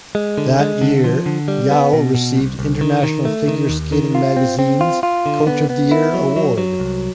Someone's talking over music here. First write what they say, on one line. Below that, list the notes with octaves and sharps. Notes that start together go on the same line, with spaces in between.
That year, Yao received "International Figure Skating Magazine"'s Coach of the Year award.
G#3
D3
G#3
D3
F3
D3
G3
B3
B2
B2
C2
C2
D#3
D#3
A3
D#3
D#2
D#3
F4
C4
C4
F4
F4
D3
B3
B3
E4
F#3
F#3
F#3
C2